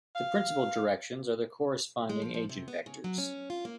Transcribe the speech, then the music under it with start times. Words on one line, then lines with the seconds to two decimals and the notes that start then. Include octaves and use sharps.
The principal directions are the corresponding eigenvectors.
0.15 F5
2.09 G#3
2.22 F3
2.34 F3
2.49 C3
2.68 B3
2.86 C#3
3.04 F#3
3.18 C#4
3.50 F4
3.65 A#3